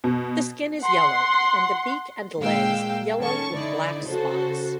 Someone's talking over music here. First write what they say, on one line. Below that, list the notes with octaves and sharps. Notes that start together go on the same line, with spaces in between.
The skin is yellow, and the beak and legs yellow with black spots.
B2
F#5 C6
A#2 G#3 A#3 F5 G5 E6
D#3 C#4 A4 A5 C#6
D3 D#4 E4 D5
C#3 F#4 A4 C5